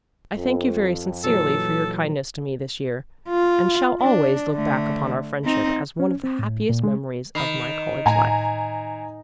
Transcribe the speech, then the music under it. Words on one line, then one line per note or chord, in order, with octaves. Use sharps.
I thank you very sincerely for your kindness to me this year, and shall always look back upon our friendship as one of the happiest memories of my college life.
F2
A#2 E3 F#3 A4
F4
D4
D3 A3
C4 D#4
C#4
C4
A2
A#2
G#3
D#3 B5 C7
A2 G#5 A#5